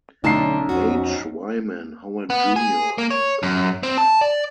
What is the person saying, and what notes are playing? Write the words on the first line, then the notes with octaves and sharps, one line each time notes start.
H. Wyman Howard Junior in command.
B1 D3 A3 C#4 A5 A#5 C7
F2 F#4
B3
G#4
A#3
C#5
F#2
C4
A5
D5